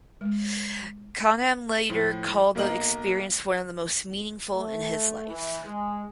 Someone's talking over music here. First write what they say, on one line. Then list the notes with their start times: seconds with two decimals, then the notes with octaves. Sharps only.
Canham later called the experience one of the most meaningful in his life.
0.21 G#3
1.89 A2 F3
2.55 B1 A#3 A#4 D#5 F#7
4.54 A3
5.28 E3
5.65 G#3